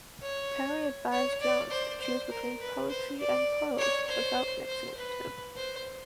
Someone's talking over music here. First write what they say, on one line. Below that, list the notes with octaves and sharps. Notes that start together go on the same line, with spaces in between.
Parry advised Jones to choose between poetry and prose without mixing the two.
C#5
C#5
D5
C5
C5
A#4
B4
C5
D5
C#5
C5
C5
B4
C5